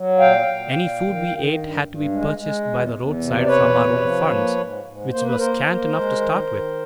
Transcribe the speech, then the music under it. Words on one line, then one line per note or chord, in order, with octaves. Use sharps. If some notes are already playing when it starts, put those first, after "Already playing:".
Any food we ate had to be purchased by the roadside from our own funds, which were scant enough to start with.
Already playing: F#3
A#2 F5 G5
A#2
A#2
D#3
D#3
G2
G2
G#3
G#3
E2
E2
C3
D5
E2 B4 C#5
C3
F3
A#3
G#2
G#2
A#3 C5
B4
A#3 A#4 C5
A#3
G#3
D#3
D#3